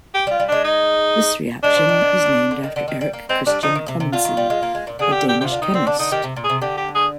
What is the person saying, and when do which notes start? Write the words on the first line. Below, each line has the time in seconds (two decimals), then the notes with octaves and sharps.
This reaction is named after Erik Christian Clemmensen, a Danish chemist.
0.14 G4
0.27 G3
0.31 F4
0.40 G3
0.48 G#3 D4
0.64 D#4
1.63 G#3 D4
1.76 F3
1.89 D#3
2.01 D#3
2.26 A#2
2.51 D3
2.63 D#3
2.76 D3
2.88 D#3
3.01 G3
3.13 A#3
3.29 G#3 C4
3.46 G3 D4
3.63 F3 D#4
3.75 D#3
3.88 C3
4.00 C3
4.13 D3 F4
4.25 D#3
4.37 G3
4.50 G#3
4.63 A#3
4.75 G#3
4.87 A#2
4.99 D3 G#4
5.12 G4
5.29 G4
5.40 C3 F4 G4
5.51 D3
5.61 D#3 D#4
5.74 D3 C4
5.87 D3 D4
5.99 D3 D#4
6.11 D#3 G4
6.24 C3
6.36 A#2
6.44 G#4
6.50 C3
6.62 D3 G4
6.77 G4
6.95 G#4